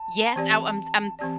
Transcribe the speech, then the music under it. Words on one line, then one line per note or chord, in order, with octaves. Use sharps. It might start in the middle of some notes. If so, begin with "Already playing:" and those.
Yes, I I'm I'm
Already playing: A5
E3 C4 G4 D5
E3 C4 G4 D5 A5